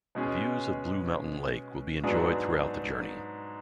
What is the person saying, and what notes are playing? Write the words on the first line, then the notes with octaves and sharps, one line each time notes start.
Views of Blue Mountain Lake will be enjoyed throughout the journey.
B2 G#3 C#4 G#4
G#2 F#3 B3 D4 G#4